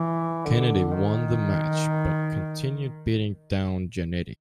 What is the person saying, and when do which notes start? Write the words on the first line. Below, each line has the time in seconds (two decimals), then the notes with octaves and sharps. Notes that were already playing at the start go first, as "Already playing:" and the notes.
Kennedy won the match, but continued beating down Jannetty.
Already playing: E3
0.45 D3
0.91 D#3